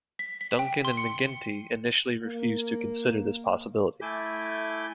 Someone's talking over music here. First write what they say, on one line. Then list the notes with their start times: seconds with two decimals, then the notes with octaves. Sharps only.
Duncan and McGuinty initially refused to consider this possibility.
0.19 B6
0.41 B6
0.59 G5
0.85 C6
0.97 C#7
2.22 A#3
4.02 A3 E4 G#5 D6 G6